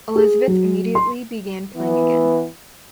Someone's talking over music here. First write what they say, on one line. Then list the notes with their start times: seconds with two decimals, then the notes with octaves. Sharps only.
Elizabeth immediately began playing again.
0.16 G#4
0.48 F#3
0.95 C6
1.75 E3 B3